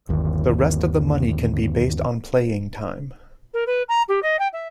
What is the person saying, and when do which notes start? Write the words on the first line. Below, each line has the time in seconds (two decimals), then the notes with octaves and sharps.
The rest of the money can be based on playing time.
0.09 G1 D#2
3.53 A#4
3.66 B4
3.88 A#5
4.08 G4
4.22 D#5
4.39 G5
4.52 E5